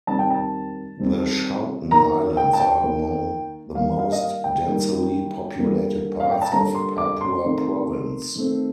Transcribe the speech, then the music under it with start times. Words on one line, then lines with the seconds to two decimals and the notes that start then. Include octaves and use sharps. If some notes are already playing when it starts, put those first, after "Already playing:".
The Schouten Islands are among the most densely populated parts of Papua province.
0.07 D#3 G3 C4 A5
0.19 G5
0.30 A5
0.99 D#3 G3 C4
1.91 D#3 A#3 A#5
2.37 G5
2.53 A5
2.60 G5
2.84 D#3 A#3
3.75 D#3 G3 A#3 F5
3.99 F5
4.12 D#5
4.21 F5
4.44 G5
4.67 D#3 G3 A#3
5.59 D3 G3 A#3
6.20 F5
6.31 G5
6.41 A5
6.52 D3 G3 A#3 A#5
6.75 C6
6.98 D6
7.21 C6
7.44 D#3 A3 C4
8.35 D#3 A3 C4